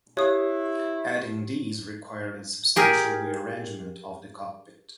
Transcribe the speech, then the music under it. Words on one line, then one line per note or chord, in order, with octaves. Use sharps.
Adding these required a substantial rearrangement of the cockpit.
E4 G4 C#5 D#6
G4 G#4 A#4